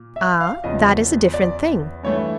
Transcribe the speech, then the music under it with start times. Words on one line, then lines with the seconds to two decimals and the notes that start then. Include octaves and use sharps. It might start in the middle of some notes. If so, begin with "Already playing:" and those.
"Ah, that is a different thing."
Already playing: A#2
0.16 E5
0.40 F5
0.64 E2 C#3 F3 D#5
1.34 D5
2.03 G2 E3 A3 C#5